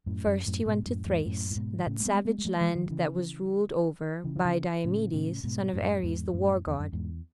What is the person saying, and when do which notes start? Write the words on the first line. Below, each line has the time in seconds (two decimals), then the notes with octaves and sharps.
First he went to Thrace, that savage land that was ruled over by Diomedes, son of Ares, the war god.
0.06 F#2 A2
0.26 F#2
0.46 F#2 A2
0.66 G#2 B2
0.86 F#2 A2
1.06 E2 G#2
1.25 F#2 A2
1.51 A2
1.55 G#2 B2
1.78 D#3
1.86 A2 C#3
2.00 A3
2.05 G#3 B3
2.25 G#3 B3
2.38 G#3
2.45 F#3 A3
2.60 E3 G#3
2.75 D#3 F#3
2.86 F#3
2.90 C#3 E3
4.24 C#3 E3
4.36 D#3
4.45 C#3 E3
4.84 A2 C#3
5.13 A2 C#3
5.44 G#2 B2
5.73 F#2 A2
6.03 E2 G#2
6.33 F#2 A2
6.66 E2
6.79 F#2
6.93 E2 G#2